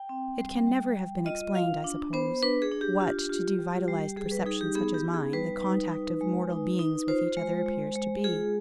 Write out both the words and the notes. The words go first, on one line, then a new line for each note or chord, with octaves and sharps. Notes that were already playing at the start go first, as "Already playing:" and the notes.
It can never have been explained, I suppose, what, to devitalized perception such as mine, the contact of mortal beings with each other appears to be.
Already playing: G5
C4
G3
G3
G3
F4 D#5
F4 F5
D4
B3 C5
D4 B4
G#4
D4
G4
F4
F4
G3
G3
G3 G#4
B4
D#4 G#4
G4
B3 G#4
G4
D#4
G#4
G3 B4
D#4
D#4
G#3
D#4
D#4
F4 C5
G#3
G#3
G#3
F4 G#4